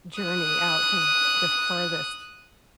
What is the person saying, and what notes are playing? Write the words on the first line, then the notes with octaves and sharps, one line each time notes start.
journey out to the furthest
D#6 F#6